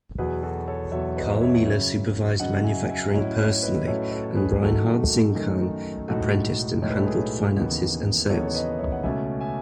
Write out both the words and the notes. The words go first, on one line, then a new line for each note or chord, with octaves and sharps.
Carl Miele supervised manufacturing personally, and Reinhard Zinkann apprenticed and handled finances and sales.
E2 B2 F#3 G#4 B4
F#4 A4
A4 C#5
E2 B2 F#3 C#5 E5
B4 D#5
C#5 E5
F#2 C#3 F#3
F#2 C#3 F#3 D#5 F#5
E5 G#5
E5 G#5
A2 F#3 C#4 E4 D#5 F#5
C#5 E5
B4 D#5
A2 F#3 C#4 E4 A4 C#5
A4 C#5
G#4 B4
F#2 D#3 A3 D#4 F#4 A4
F#2 D#3 A3 D#4
B1 A2 G#3 D#4 F#4 A4
B1 A2 G#3 D#4 C#5
B4
A4
G#4 B4
D#2 C#3 E3 B3 D#4
D#2 C#3 E3 B3 D#4 A4 C#5
C#5
B4 D#5
C#5 E5
F#5
C#2 B2 A3 C#4 E5 G#5
E5 G#5